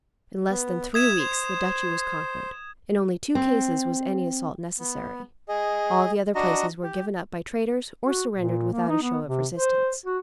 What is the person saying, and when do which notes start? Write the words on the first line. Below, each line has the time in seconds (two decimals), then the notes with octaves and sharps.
In less than three weeks the duchy was conquered; in only two cases was any assault necessary; all the other places were given up by traitors or surrendered without a show of resistance.
0.50 B3
0.94 E5 D#6 G#6 E7
1.19 C5
3.35 C4
4.79 B3
5.49 G#4 D#5
6.35 D4 F#4 D#5 A#5
6.83 G4
8.05 F#4
8.35 A#2
8.72 A#3
8.89 D#4
9.02 B3
9.27 C3
9.56 C5
10.06 F#4